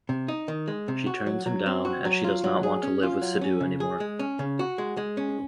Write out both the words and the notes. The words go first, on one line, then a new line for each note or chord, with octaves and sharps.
She turns him down as she does not want to live with Siddhu anymore.
C3
D#4
D#3
G#3
C3
F#4
F#3
F#3
C4
F#4
F#3
F4
F#3
G#4
C#4
F4
F#3
C#4
C#3
G#4
G#3
C#4
C#3
F#4
G#3
G#3
C#4